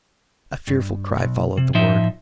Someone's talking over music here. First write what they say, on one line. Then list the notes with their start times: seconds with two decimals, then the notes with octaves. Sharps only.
A fearful cry followed the word.
0.67 G2
1.18 B1
1.57 C3
1.74 A2 F3 D#4 E5